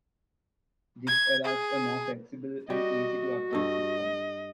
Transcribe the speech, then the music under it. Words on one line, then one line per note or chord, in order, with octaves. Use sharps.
This allows a more flexible and easy to update system.
G#6
G#4
G3 F#4 D#5
G2 A4 D#5